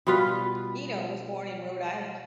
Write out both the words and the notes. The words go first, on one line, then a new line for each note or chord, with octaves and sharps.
Eno was born in Rhode Island.
B2 G3 F4 B4